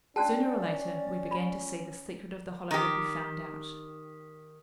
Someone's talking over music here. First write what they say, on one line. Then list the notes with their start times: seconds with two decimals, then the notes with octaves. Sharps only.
Sooner or later we began to see the secret of the Hollow would be found out.
0.16 C#4 D4 F#4 G#4 D5 G5 A5 F#6
1.31 F4 B5
2.71 D#3 G4